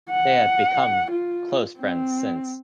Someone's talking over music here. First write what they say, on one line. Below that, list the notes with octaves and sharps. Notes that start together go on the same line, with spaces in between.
They have become close friends since.
F#5
F4
C4